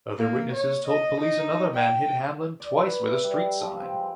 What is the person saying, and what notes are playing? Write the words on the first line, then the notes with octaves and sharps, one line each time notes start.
Other witnesses told police another man hit Hamlin twice with a street sign.
A#3
C#5
D#5
D#4
G5
D5
B4
E5
G3
F3
C4
G#3